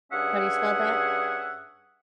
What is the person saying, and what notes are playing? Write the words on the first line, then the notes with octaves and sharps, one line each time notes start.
How do you spell that?
G2 C#4 G#4 E5 F#5